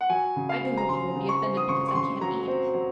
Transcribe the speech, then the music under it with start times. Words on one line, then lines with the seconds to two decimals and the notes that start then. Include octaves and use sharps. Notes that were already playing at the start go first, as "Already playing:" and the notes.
I do hope you won't be offended because I can't eat.
0.01 F#5
0.10 F#3 G#5
0.36 C#3
0.49 F5
0.63 C4
0.77 A#5
0.89 C#3 C6
1.15 C#3
1.29 C#6
1.42 C4
1.57 D#6
1.69 C#3 C#6
1.88 C#6
1.95 C#3 C6
2.21 F#3 A#5
2.48 C4
2.74 F#3